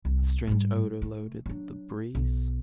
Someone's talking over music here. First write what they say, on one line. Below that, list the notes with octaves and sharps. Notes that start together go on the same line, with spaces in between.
A strange odor loaded the breeze.
C2
G#2 G3
A3
F#3 D4
B1